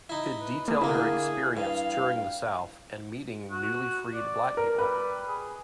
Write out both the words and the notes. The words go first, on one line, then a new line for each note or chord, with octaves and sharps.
It detailed her experience touring the South and meeting newly freed Black people.
D#4 E4
B4
A#3 G#4
D3 A#3 E4
G2 F5
F#4
D5
A#4
G3 B4
G#4